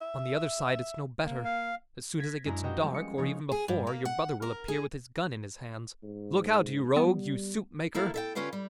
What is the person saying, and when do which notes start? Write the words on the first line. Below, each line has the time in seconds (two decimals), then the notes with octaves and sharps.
On the other side it's no better. As soon as it gets dark, or even before, your brother will appear with his gun in his hands: 'Look out, you rogue, you soup-maker.
0.01 E5
1.25 A#3
1.45 F5
2.20 G#6 A#6 B6
2.45 F#2 G#3 D4 E4 A#5
2.63 A#3 B3 F#4 G4 D#5 G5
2.81 F3 G3 G#3 C4 C#4
2.94 C#7
3.18 C#3 F3 G#3 D#4 C#5
3.52 G#4
3.68 G2
3.87 A#3
4.05 F#5
4.42 A#4
4.68 G#4
6.03 G#2
6.96 G3 B3
7.95 A#3 E4 A4 F5
8.14 A4 E5 G5
8.35 D3 C#4 F4 G4 B4 F5
8.53 G3